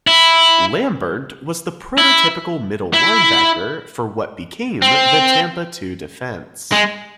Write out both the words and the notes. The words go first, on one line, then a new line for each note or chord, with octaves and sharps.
Lambert was the prototypical middle linebacker for what became the Tampa Two defense.
E4
E4
E4
C4
G#3